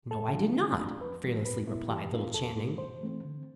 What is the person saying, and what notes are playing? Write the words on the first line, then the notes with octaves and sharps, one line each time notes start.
"No, I did not!" fearlessly replied little Channing.
F2 A4
E3 G3 D4 F4
D3
A3 D4 F4
F2 B4
E3 G3
E2 B4
B2 B3 E4
E3 G4
B3 D4 F4
E2 A4
B2 A3
G2 C5
E3 A3 C4
D3